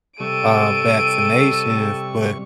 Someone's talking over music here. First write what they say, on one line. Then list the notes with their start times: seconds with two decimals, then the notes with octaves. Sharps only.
uh, vaccinations, but
0.20 C3 G3 A4 C#6 D7 D#7